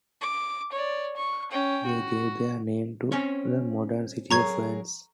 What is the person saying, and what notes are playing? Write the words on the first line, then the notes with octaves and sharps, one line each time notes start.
They gave their name to the modern city of Vannes.
D6
C#5 D5
C#6
C#4 G5
F#4
C4 C#4 C#5
F#3 G#4 A#4 A#5 C#6 G#6